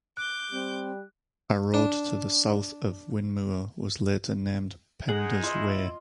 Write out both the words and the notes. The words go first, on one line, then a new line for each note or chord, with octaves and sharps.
A road to the south of Whinmoor was later named Penda's Way.
D6 F#6 G6
G3 C4
D4
G#3 D#4 G#4 F#5
E4 F4 D#5